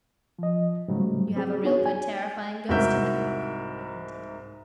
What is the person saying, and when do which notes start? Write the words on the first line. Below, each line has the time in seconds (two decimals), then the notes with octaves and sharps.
"You have a real good terrifying Ghost in that book?" I hinted.
0.39 F3 D#5
0.88 G#2 C#3 F#3 G3 A3
1.36 C4 G#4
1.63 B3 D4 D#4 F#4 G#4 C#5
1.86 G#5
2.68 C2 G#2 F#4 A#4 E5 G6